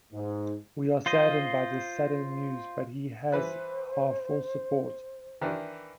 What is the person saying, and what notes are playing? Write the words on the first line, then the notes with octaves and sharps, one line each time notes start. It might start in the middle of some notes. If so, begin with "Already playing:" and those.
We are saddened by this sudden news but he has our full support.
G#2
F4 C5 D#5
E3 B4 C5 F#6
D#3 E3 D4